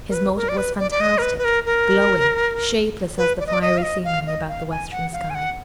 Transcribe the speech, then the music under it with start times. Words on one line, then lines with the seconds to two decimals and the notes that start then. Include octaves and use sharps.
His motive was fantastic, glowing, shapeless as the fiery scenery about the western sky.
0.09 A#4
0.14 B4
0.36 A#4
0.49 D5
0.57 B4
0.79 D5
0.91 D5
1.01 D#5
1.18 A#4
1.22 B4
1.38 B4
1.45 A#4
1.66 A#4
3.18 B4
3.40 D5
3.47 D#5
3.54 D5
3.62 D#5
3.78 F5
3.83 D#5
4.04 F5
4.27 D#5
4.48 F5
4.70 G#5
4.91 F#5
5.13 F5
5.30 G#5
5.35 F#5